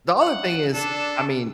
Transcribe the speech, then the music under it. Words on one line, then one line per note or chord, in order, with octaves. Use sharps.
the other thing is, I mean
F#5
D4 A4 E7